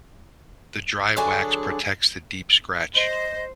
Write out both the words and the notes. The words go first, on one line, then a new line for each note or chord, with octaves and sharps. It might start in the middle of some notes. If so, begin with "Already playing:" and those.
The dry wax protects the deep scratch.
D3 F#3 D4 G#4
C5 D#5